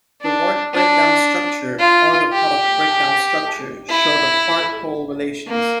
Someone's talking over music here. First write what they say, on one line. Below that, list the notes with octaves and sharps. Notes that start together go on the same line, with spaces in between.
The work breakdown structure or the product breakdown structure show the "part-whole" relations.
D4
D4
F4
G4
E4
A#3